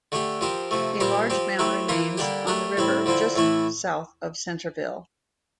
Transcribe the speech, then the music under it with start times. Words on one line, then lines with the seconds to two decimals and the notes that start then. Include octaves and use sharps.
A large mound remains on the river, just south of Centerville.
0.12 D3 A3 D4 G4
0.41 F3 C4 G4 A#4
0.71 C3 F3 A3
1.00 A#2 G3 C4 G4 A#4
1.30 F3 C4 G4
1.59 A3 C4 E4 G4
1.89 E3 A#3 F4 A#4
2.18 D3 G3 A#3 D4 G4
2.47 A3 D4 G4 A#4
2.77 A2 G3 C4 E4
3.06 D3 F3 C4 E4
3.36 A2 E3 A3 E4